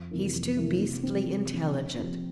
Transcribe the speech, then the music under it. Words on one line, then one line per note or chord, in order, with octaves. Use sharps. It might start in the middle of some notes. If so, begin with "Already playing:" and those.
He's too beastly intelligent.
Already playing: F2
C3 E3 A#3 E4
F2
C3 E3 A#3 E4
C3
F3 C4
C3
F3 C4
G2
F3 C4 G4